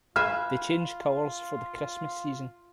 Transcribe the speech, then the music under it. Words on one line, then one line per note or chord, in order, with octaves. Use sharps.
They change colors for the Christmas season.
F4 B4 E5 F5 G#5 F6